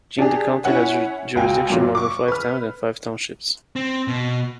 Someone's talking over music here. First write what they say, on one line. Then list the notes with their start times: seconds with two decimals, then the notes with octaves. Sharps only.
Jingde County has jurisdiction over five towns and five townships.
0.19 D4 G4 G#4
0.64 C#4 E4 C#5 F#5 G#5
1.35 C#2 F#4 G5 G#5
1.70 F#2 A#2 F#3
1.95 C#6 D6
2.28 B4 F6
3.76 C4
4.08 B2